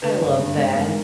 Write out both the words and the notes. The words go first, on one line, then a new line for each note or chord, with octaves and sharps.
I love that.
D3 B4
G2
G2
G#2
G#2 A#4